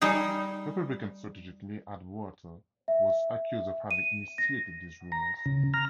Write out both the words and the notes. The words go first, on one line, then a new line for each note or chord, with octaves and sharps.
Republican strategist Lee Atwater was accused of having initiated these rumors.
G3 D#4 G#4
E5
D#7
A#6
A#5
C#3
A#5 F6